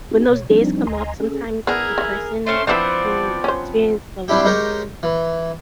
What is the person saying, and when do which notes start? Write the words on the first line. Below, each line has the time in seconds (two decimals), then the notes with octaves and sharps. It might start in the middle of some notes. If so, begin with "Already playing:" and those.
When those days come up, sometimes the person who experienced the loss,
0.11 C4 D#4 F#4 G#4
0.29 B2 C#5
0.50 F3 G3 C4 D4 D#4
0.87 D2 D#5 G#5 A#5 C6
1.20 C#4 G#4 A4
1.67 B3 D4 E4 G#4 A#4
1.98 C#3 E3
2.46 A3 C4 C#4 C6
2.67 F3 B3 C4 D4 E4 B4 D5
3.44 C#4 C5
4.28 G3 C4 D4 E4 G4
4.45 G#3 D#4 G4 A#4 C#5
5.03 E3